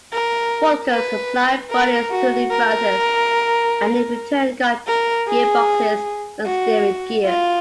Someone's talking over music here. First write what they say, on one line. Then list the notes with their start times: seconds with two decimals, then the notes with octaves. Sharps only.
Vulcan supplied bodies to Lea-Francis and in return got gearboxes and steering gear.
0.13 A#4
0.92 B4
1.71 A#4
2.10 F#4
2.51 A#4
4.87 A#4
5.28 G#4
6.46 F#4
7.25 F4